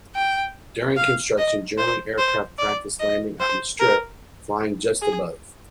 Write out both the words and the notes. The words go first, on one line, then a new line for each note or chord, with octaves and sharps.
During construction German aircraft practice landing on the strip, flying just above.
G5
F5
D#5
C5
C5
D5
D#5
C5
A#4
G#4